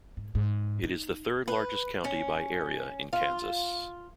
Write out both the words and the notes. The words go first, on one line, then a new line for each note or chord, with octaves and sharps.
It is the third-largest county by area in Kansas.
G#2
G#2
D#4
B4
C#4
F4